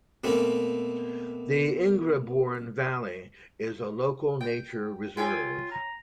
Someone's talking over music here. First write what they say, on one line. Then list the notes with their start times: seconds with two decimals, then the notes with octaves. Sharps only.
The Ingrebourne Valley is a Local Nature Reserve.
0.24 B2 A3 A#3 C4
4.41 G5
5.17 F4 C#5 G5 G#5
5.71 A#5